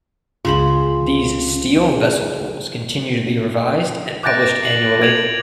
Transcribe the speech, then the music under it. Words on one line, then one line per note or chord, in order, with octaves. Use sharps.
These Steel Vessel Rules continue to be revised and published annually.
C#2 C#3 F4 C5 B5
G#4
D6 F#6 G6 A6 A#6 D7
F#7
G#6 D7 F7 F#7